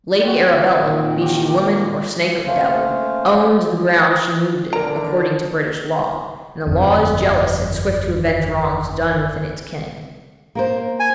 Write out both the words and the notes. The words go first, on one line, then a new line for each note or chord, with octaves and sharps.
Lady Arabella, be she woman or snake or devil, owned the ground she moved in, according to British law, and the law is jealous and swift to avenge wrongs done within its ken.
C4 F#4
A#2 D#3
G4
A3 A#3 C#4 C5 F5
D3 A#4 A#5 D7
G1 F2
A#3 A#4 C5
G#5